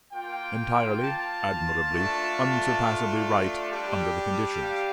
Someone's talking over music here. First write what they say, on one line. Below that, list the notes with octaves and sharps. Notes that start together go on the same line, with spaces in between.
Entirely, admirably, unsurpassably right, under the conditions.
A#3 F4 G5
A5
A3 D4 F4
G3 D4 G4
F5